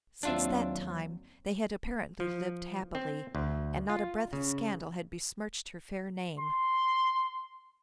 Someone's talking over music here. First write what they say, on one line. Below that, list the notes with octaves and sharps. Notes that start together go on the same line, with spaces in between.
Since that time they had apparently lived happily, and not a breath of scandal had besmirched her fair name.
D#2 F#3 C4 D4 F4 E5
F3
C4
D2
F4
C#3
C6